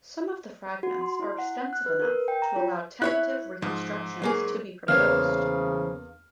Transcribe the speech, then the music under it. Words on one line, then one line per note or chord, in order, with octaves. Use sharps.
Some of the fragments are extensive enough to allow tentative reconstructions to be proposed.
F#4
C6
E4
F#5
F#6
B4
A#4
G5
A#5
F4
E4 C#5 E5 F#6
G#2 F3
F#3 A#3 G#4
E2 C#3 E3 A#3 C5 C#5 F6